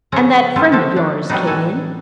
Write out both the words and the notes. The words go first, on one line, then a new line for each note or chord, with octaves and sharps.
"And that friend of yours came in?"
C#3 F3 C#4 A4 A#5
G3 A3 C#4 F4 A4
F3 D4 A4 F5
D4
F#3 G3 A#3 B3 D4 D#4
A2 E3 A4 G#5